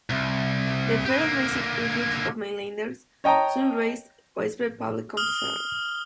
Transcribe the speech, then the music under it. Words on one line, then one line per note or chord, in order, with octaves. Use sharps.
The fear of massive influx of mainlanders soon raised widespread public concern.
C2
G4 B4
D3 A#3
C#5 D#5 G5 A5 A#5
D#6 F6 G7